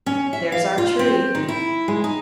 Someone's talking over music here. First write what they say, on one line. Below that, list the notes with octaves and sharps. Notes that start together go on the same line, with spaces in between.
"There's our tree."
C#4
E5
F5
F4
C4
D#3
E4
G#3
D#4